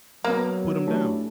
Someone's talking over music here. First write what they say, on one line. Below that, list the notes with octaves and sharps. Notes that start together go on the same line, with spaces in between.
put 'em down,
F#3 A#3 B3 A#4 B5
A3 C#4 D4 E4 G4